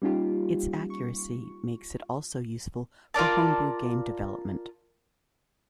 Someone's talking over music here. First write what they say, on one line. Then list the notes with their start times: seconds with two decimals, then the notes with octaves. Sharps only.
Its accuracy makes it also useful for homebrew game development.
0.02 G3 A#3 C#4 D#4 F4 G4
0.90 C#6
3.14 F4 A#4 D5 A5